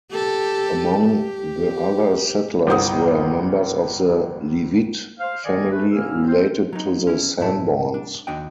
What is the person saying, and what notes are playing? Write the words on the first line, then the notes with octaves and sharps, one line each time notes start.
Among the other settlers were members of the Leavitt family, related to the Sanborns.
G4 A4
G4
G1 C2 C5 D#6
C5 F5
F2 D#3 A#4 D5 D#5 G#5
A3 B4
D2 A2 A#3 C#4 E6 F6
C3 C4 C#4 C5
F#3 D#4
C#4 E4
B1 G#2 E4 A5
D4
D#2 D4 F#4 D#5 G5